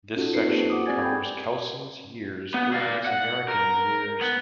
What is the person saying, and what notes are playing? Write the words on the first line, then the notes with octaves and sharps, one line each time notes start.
This section covers Kelsen's years during his American years.
C#4 D#4 F4 F#4 A4
C4 D#4 B4 C7 C#7
A#3 F4 G4 A4 C5
F#5 D6 D#6
C4 G4 D5 G#5 G#6 A6
G5 B5 G6 G#6
B3
D5 F5
F#5
A#4
B3